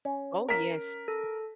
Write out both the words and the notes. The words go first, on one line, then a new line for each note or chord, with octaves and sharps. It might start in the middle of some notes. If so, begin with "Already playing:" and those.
Oh, yes.
C#4
A#4 B6
A4